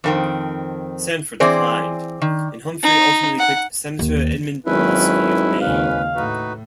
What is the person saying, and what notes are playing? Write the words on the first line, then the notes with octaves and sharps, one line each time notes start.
Sanford declined, and Humphrey ultimately picked Senator Edmund Muskie of Maine.
F2 D#3 C4
E3 C4 G#4 C5 D5
D#3
D#4
F#5
D#2
G#1 D#3 F#3 C#4 E4 B4
D#2 C#3 C#4 B4 F5
A2 D#4 F#4 B4